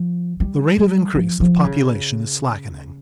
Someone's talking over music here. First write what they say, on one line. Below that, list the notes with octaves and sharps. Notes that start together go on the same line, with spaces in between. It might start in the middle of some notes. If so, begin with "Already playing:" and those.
The rate of increase of population is slackening.
Already playing: F3
G3
G3
F3
F3
C#3